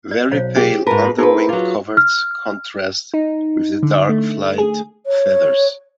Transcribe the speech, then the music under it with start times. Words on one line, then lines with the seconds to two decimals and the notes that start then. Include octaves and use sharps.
Very pale underwing coverts contrast with the dark flight feathers.
0.11 D5
0.32 B1 C5 C#5 F5
0.56 G4 G#4
0.87 G#2 A#4 B4 A5
1.18 C4 D#4 G#4 A#4 B4
1.49 F#3 F4 D6
1.97 F6
3.14 D#4
3.83 D3
4.09 A3
4.58 G#4
5.06 C#5